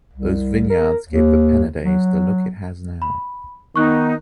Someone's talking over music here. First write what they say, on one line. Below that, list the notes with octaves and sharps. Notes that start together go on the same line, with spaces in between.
Those vineyards gave the Penedès the look it has now.
C2
A#4
D#2
F#3
B5
D#3 B3 D#4 C#6 F#6